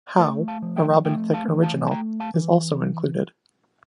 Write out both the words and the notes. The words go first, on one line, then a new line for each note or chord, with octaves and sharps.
"How", a Robin Thicke original, is also included.
A3 A#4 D5
F5 A5
F3
E5 G5
A3 E5 G5
F5 A5
E3
F5 A5
A5
A3 G5 A#5
F5 A5
E3